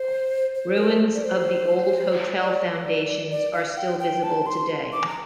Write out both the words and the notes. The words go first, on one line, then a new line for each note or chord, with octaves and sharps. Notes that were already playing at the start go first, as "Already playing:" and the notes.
Ruins of the old hotel foundations are still visible today.
Already playing: C5
C5
A#4
D5
C5
D5
D5
F5
G5
G5
A5
C6
D6
A#5